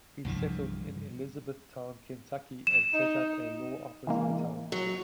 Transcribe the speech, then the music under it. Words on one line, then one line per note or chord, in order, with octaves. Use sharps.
He settled in Elizabethtown, Kentucky, and set up a law office in town.
C2 G2 E3 F3
E7
D#4
E3 G#3 A#3
F#3